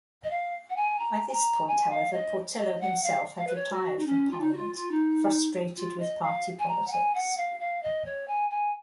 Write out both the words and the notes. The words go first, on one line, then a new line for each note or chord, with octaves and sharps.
By this point, however, Portillo himself had retired from Parliament, frustrated with party politics.
D#5
F5
F#5
G#5
A#5
G#5
A#5
G#5
F5
D#5
D#5
F#5
F5
F5
B4
C#5
F#4
D#4
C#4
F4
D#4
F#4
F4
F4
D#4
F4
D#5
F5
G#5
A#5
F#5
G#5
F#5
F5
F5
D#5
C#5
G#5
G#5